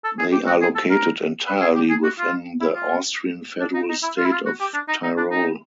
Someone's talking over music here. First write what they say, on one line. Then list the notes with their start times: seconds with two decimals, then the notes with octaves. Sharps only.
They are located entirely within the Austrian federal state of Tyrol.
0.04 A4
0.19 G#4
0.32 G4
0.46 F#4
0.61 G#4
0.75 A4
0.90 A#4
1.47 B4
1.61 G#4
1.75 G4
1.90 G#4
2.04 F#4
2.18 F4
2.61 E4
2.74 F4
3.60 D4
3.74 D#4
3.89 D#4
4.03 E4
4.17 F4
4.25 E4
4.32 F4
4.46 F#4
4.60 G4
4.74 D4
4.88 D#4
5.03 D#4
5.17 D4
5.31 D#4